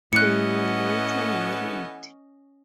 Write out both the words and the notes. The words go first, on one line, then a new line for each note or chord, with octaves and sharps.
They were later married.
A2 E3 A3 B3 C#4 D#5 F#6 C#7